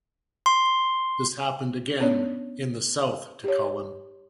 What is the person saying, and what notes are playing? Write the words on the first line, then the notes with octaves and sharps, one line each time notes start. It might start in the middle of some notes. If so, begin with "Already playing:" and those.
This happened again in the south to Cullin.
C6
B3 C#4 D4 A4 C#5 D5
G4 C#5